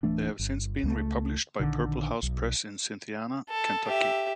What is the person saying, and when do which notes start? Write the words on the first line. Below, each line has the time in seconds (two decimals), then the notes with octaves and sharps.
They have since been republished by Purple House Press in Cynthiana, Kentucky.
0.03 D1 E3 A3 D4
0.39 G1
0.83 C#2 G3 A3
1.60 A#1 D3 D#3
2.23 B1
3.49 A4
3.87 G4 E5